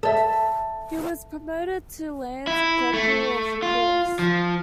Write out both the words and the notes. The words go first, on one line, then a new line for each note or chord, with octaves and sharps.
He was promoted to Lance-Corporal of Horse.
A4 E5
E4
A3
F4
F3